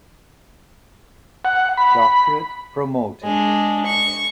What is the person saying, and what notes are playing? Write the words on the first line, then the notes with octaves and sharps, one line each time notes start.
Doctorate promoted.
F#5
B5
G#3 D4
C#6